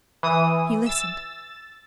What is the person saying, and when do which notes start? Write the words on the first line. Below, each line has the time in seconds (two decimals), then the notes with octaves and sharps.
He listened.
0.23 E3 D#6
0.86 E6 A6